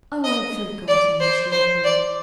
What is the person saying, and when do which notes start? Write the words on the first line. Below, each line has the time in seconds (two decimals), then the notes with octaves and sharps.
"Oh, I've forgotten..." she replied.
0.24 D#5
0.88 D5
1.20 C5
1.52 C5
1.84 D5